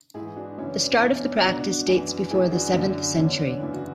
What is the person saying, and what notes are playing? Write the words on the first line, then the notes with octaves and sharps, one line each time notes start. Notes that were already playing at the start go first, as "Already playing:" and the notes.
The start of the practice dates before the seventh century.
G#2 E3 E4 G#4
D4 F#4
F#2 C#3 E3 C#4 E4
D4
E2 B2 C#4 E4
C#4
D4
C#2 B2 D4 F#4
F#2 E3
F#2 E3 E4 G#4
D4 F#4
F#2 D3 D4
E2 D3 C#4
D4
F#2 C#3 E3 E4
F#4